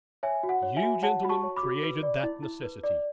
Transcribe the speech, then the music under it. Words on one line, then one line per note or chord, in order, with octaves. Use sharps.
You, gentlemen, created that necessity!
C#5 E5 G#5
F#4
F#5
C#5
E5 G#5
F#4
C#5 F#5 A5
F#4 B5
A5 C#6
C#5
B5 D6
F#4
B4
D5
E4
E4
B4
D5